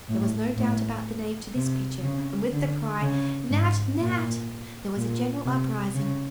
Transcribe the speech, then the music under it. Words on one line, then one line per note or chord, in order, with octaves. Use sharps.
There was no doubt about the name to this picture, and with the cry 'Nat! Nat!' there was a general uprising.
A2
A2
C3
C#3
D3
C#3
G#2
A#2
A#2
C3
C#3